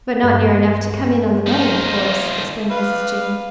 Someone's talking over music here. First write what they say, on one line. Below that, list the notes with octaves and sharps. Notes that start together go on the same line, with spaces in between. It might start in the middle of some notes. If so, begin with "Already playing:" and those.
"But not near enough to come in on the money, of course," explained Mrs. Jane.
G2
F3 D#4
B4 F5